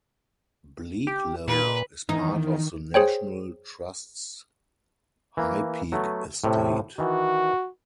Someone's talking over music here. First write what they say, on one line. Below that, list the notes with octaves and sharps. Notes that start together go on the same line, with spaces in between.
Bleaklow is part of the National Trust's High Peak Estate.
G4
A#2 B4
E2 D#3 E3 D#4
G#4 C5 C#5 G5
E3 A#3
F#3 A3 B3
A2 C3
D#3 E3 F#4